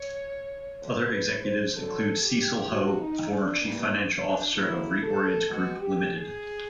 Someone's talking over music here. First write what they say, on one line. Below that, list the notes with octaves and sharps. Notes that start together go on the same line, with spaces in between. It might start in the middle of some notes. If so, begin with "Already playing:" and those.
Other executives include Cecil Ho, former Chief Financial Officer of ReOrient Group Limited.
Already playing: C#5
D2 D3 G3 A#3 C5
B4
C5
D2 D3 F#3 A4
G4
F2 C#3 F#3 F#4
D#4
D4
G2 E3 G3 A#3
D4
D2 C#3 F#3 A#3 E4
A4
B2 G#3 B3 F#4
G4
G#4